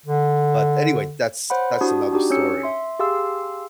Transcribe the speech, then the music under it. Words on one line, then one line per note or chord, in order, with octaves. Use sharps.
But, anyway, that's that's another story.
D3
C5 C#5 F#5 B5
D4 E4 F#4 G4 A5 D#6
D4 D#4 F#4 G4
C#4 C#5 E6 C#7
E5 C6
G4 G#4 F5 C6 E6